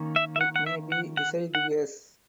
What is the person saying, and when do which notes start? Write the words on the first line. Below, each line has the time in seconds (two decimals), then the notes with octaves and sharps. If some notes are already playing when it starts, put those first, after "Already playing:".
It may be deciduous.
Already playing: D#3 A#3 C#4
0.16 E5
0.36 E5
0.41 F#5
0.56 F#5
0.66 E5
0.92 F#5
1.17 F#5
1.55 F#5